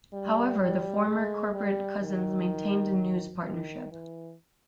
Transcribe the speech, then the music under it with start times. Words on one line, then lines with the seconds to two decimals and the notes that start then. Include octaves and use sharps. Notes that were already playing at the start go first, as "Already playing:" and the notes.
However, the former corporate cousins maintained a news partnership.
0.13 G3
0.60 G3
1.07 G#3
1.54 G3
2.02 D#3
3.44 D#3
3.92 E3